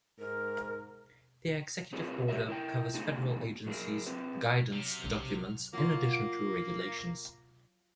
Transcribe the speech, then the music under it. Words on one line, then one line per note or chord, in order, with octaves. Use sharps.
The Executive Order covers federal agencies' "guidance documents", in addition to regulations.
G#2 A#4
C4 F4 G#4 A#4 B4 C#5
G4 A#4 B4 C#5 E5
E4 A#4 G5
A2 D3 B3 D#4 F#4 G#4
F#3 A#3 C4 G#4 A#4
C4 G#4 B4
C3 F#3 F6
B1
F#3 A#3 F4